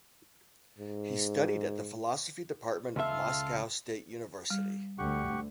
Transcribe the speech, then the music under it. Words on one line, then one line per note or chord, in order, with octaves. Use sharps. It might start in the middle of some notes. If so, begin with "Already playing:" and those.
He studied at the philosophy department of Moscow State University.
G#2
C#2 F4 A4 E5 F5
G3
D2 G4 F#5 C#6